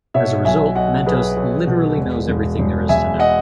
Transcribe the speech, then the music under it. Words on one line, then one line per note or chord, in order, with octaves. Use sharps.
As a result, Mentos literally knows everything there is to know.
B2 C#5 E5
B1 E5 G#5
B1 D#5 F#5
B1 G#4 B4
B1
B2
E1
E1
E1
E1 E5 G#5
D#5 F#5